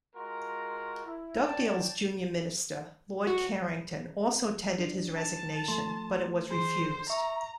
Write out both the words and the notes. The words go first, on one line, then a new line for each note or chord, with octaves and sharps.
Dugdale's junior minister, Lord Carrington, also tendered his resignation, but it was refused.
G#3 F4 F#4 A#4 A#5 C6
E4
C#5 D5 G5 A5
F#4
D4
A5
F3 A3 C6
E3 G#4 C5
E5 A#5 C#6